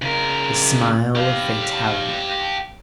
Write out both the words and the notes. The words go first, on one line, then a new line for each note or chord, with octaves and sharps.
The smile of Fatality!
C#3 A#4
G4 F5